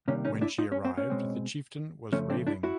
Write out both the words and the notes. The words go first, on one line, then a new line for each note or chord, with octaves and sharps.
When she arrived, the chieftain was raving.
C3 D#3 G3 A#3 C#4
C#4 D#4
D4 E4
D#4 F4
C#4
C4
C#4
B2 G#3 C4
C#3 F3 A3 C#4
C4 D4
D4 E4
E4 F#4